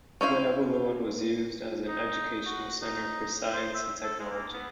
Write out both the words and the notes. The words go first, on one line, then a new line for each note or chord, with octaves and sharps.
The Evoluon was used as an educational centre for science and technology.
C#4 E4 C5 F5
D#4
F#4
D#4
C5
E5
A4
G#3
A#3
B3